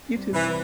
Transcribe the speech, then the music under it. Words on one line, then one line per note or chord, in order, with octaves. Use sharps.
You too.
G3 C4
C3 E3